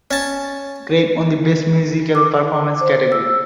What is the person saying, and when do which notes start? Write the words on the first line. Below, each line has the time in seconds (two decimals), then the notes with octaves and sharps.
Craig won the Best Musical Performance category.
0.11 C#4 A5
2.15 D6
2.81 C5
3.12 E6